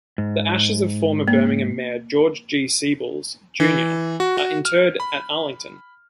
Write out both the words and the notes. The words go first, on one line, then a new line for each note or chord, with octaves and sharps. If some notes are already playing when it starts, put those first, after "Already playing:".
The ashes of former Birmingham mayor George G. Siebels, Junior are interred at Arlington.
G#2
A#3
E3
F#4
F#4
F6
B5